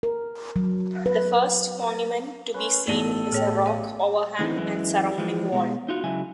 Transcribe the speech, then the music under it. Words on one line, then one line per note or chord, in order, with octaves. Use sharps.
The first monument to be seen is a rock overhang and surrounding wall.
A#4
F#3
B4
C#4 B4 C6
A1 E3 B3 D#4 A4 D5 D#7 G7
A2 G#4 C#5 G5
F#2 C#5 F5
A2 D3 E3 A3 C4 D#4
F#2 E3 G#3
E3 F3 G#3
B2 G#3
D#4 F4 F#4
C#3 F#3 G#3 E4 G#5